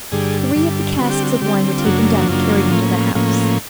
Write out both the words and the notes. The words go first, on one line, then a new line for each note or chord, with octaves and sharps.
Three of the casks of wine were taken down, and carried into the house.
G2 D3 G3 G#4
G2 D3 G3
D3 G3 C4 F#4
G4
F#4
D3 G3 C4 G4
F4
F#2 C#3 F#3 A#3 D4 F#4
F#4
F#2 C#3 F#3 A#3 D4 F4
A2 F3 A#3 C#4
A2 F3 A#3 C#4